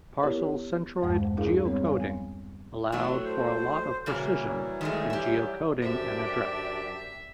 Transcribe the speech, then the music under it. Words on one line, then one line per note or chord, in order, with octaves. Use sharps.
Parcel-centroid geocoding allowed for a lot of precision in geocoding an address.
B3 E4 G4 A#4 C#5
E2 G2 G#3 C5 F#5 A5
D4 E4 G#4 A#4 F5
G3 B3 C4 C#5
F5 G#5
A2 F#3 A3
C5
A#2 C#3 E3 F#3 G3 A#3
D#3 G#3 A3
G4 E5
F#2 D4 F#4 G4 A4 C5 E5